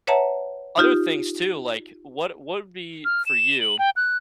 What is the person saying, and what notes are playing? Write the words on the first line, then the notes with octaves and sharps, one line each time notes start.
other things, too, like, what what'd be, for you
B4 C#5 E5 F#5 A5 A#5
D#4 F4 G4
F6
E7
F#7
G5
F#6